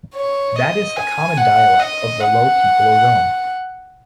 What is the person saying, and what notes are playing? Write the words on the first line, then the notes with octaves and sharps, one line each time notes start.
That is the common dialect of the low people of Rome.
C#5
D#5
G#5
F#5
D#5
F#5